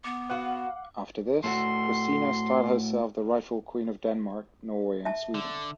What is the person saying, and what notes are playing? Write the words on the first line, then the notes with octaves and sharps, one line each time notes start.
After this, Christina styled herself the rightful Queen of Denmark, Norway and Sweden.
B3 D6
F#4 B4 F5 F#5
A2 A3 F#4 C6
E5 A5
D3